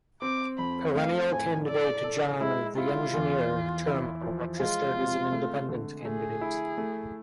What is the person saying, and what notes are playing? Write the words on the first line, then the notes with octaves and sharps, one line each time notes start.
Perennial candidate John "The Engineer" Turmel registered as an Independent candidate.
C4 D6
F2 B5
A3 F5
A2 G#5
A4 D5
A4
G#3 E4
E4 F4
E2
E2
E4
F3
G#3 F4
C3
A3
D3
A3 G#4
E4
A3